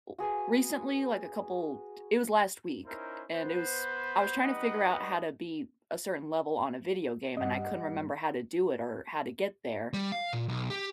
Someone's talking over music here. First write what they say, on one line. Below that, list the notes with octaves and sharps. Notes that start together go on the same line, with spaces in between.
ooh recently, like a couple t it was last week, and it was I was tryna figure out how to beat a certain level on a video game and I couldn't remember how to do it or how to get there,
F#4 G#4 B4 G#5
C#4 D#4 E4 A#4 C5
B3 B4 C5
G3 D#4 B4 D#5 F#5
G2 G3 D#5 F#5
G3
F5
A#2
B1
G4